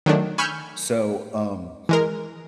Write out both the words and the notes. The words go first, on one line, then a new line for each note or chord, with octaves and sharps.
So, um,
D#3 F#3 A3 D4
G#5 B5 C#6 E6 F6 G6
E3 G#3 A#4